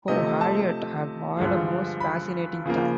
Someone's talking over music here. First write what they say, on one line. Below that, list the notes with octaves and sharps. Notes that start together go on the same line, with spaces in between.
Oh, Harriet, I’ve had a most fascinating time.
C3 F3 A3 D#5
A5
G2 D3 F3 G#3
B5
C#3 F3 A#3